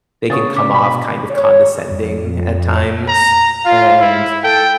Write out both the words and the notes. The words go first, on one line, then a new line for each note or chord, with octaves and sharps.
they can come off kind of condescending at times, and
C#3 B3 D4 C#6 D#6 A6
B3 D4 D6 B6
B2 B5
C#5
F2
A#5
F4 F5
E4
A4 G5